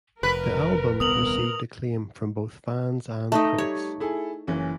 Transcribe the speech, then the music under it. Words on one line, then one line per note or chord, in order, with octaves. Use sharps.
The album received acclaim from both fans and critics.
F1 A#4 B4
D#1 C2 B3 A#4 D#6 F7 F#7
A3 D#4 D#5
G3 C#5
E4 G#4 A4
F#1 E3 C#4